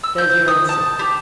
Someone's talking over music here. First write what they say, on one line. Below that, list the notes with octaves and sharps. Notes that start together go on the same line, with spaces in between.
There's your answer.'
E6
G6
D#6
A5
G4